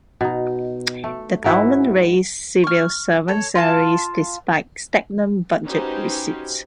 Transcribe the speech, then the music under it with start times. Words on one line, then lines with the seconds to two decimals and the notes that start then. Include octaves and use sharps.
The government raised civil servant salaries despite stagnant budget receipts.
0.21 B2 D#4
1.04 A3
1.44 G#2 E4 F#4 A#4
2.64 C#6 F6
3.28 A4 C#5
3.55 F4 F5 A5
5.66 C#4 D#4 F#4 G4 B4 C5